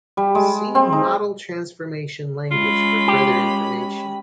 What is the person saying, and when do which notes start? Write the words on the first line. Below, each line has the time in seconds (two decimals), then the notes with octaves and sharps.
See Model Transformation Language for further information.
0.17 G3
0.35 G#3
0.75 C4
0.93 D#4
2.51 G#3 C#4 F4 B5
3.08 G4